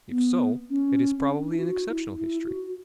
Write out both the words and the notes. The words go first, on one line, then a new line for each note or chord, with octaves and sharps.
If so, it is probably an exceptional history.
B3
C#4
C#4
D4
D4
E4
F#4
E4
E4
F#4